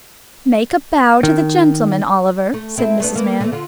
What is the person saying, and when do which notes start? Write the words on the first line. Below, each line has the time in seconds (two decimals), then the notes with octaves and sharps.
'Make a bow to the gentleman, Oliver,' said Mrs. Mann.
1.23 D#3
2.54 A3
2.78 C4 E4 A4
3.00 A3 B3 D4
3.16 A#3 B3
3.40 D3 E3 A3
3.52 D3 F4